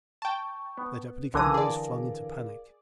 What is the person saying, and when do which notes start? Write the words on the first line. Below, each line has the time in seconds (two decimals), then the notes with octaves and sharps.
The Deputy-Governor was flung into panic.
0.22 G5 A5 C#6
0.77 B3
1.34 B1 D3 E3 A#4 F5 D#6
1.54 G#4 D5